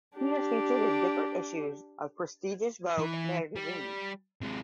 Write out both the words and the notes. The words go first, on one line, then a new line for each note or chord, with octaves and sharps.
He has featured in different issues of prestigious vogue magazines.
D4 G4
E3 E4
G3
C3 G#3